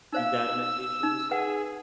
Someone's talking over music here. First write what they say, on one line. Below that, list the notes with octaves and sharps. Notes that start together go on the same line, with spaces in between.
do guided meditations.
D#4 C5 F5 E6
D#4
G#4 B4 F#5